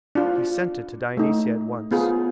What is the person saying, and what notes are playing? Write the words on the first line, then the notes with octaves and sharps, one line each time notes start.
He sent it to Dionysia at once.
D4 F4
A3 D#4
B3 F4 G#4